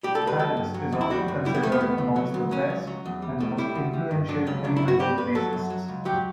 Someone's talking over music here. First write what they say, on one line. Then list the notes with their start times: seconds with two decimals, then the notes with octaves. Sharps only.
Harris is often considered among the best and most influential heavy metal bassists.
0.03 G3 G4
0.15 A4
0.22 C#2
0.27 B4
0.39 F#3 A4
0.57 G2
0.74 F#3
0.92 E2
1.01 E4
1.10 G3 F#4
1.28 F#2
1.45 G3 E4
1.55 B3
1.63 E2 A3
1.72 B3
1.81 A2
1.98 A2
2.16 F#3
2.34 D2
2.51 F#3 C#4
2.70 C#2
2.87 F#3
3.06 E2
3.22 G3
3.40 A2
3.58 G3 E4
3.75 D2
3.93 G3
4.11 G2
4.28 F#3 D4
4.47 C#2 C#4
4.64 F#3 D4
4.77 E4
4.82 G2
4.88 F#4
4.99 G3 G4
5.17 G2 B4
5.35 F#3 A4
5.53 F#2
5.70 F#3
5.88 C#2
6.05 F#3 G4